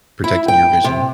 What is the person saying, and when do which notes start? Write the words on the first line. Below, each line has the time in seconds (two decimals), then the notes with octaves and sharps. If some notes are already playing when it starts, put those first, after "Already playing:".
protecting your vision.
0.24 E4
0.48 G5
0.84 C3